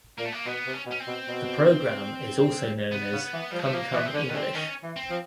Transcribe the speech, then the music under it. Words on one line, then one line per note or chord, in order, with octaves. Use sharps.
The program is also known as "Come Come English".
A#2 A#3
A3
A#3
B2 B3
C3
C#4
B2
C#4
C4
B2
B2
C3 B3
C#3
E3
F3 G3
G#3
A3
F3 A#3
E3 B3
C4
D3 C#4
D#3 B3
D3 C4
D#3 C#4
E3
C4
F3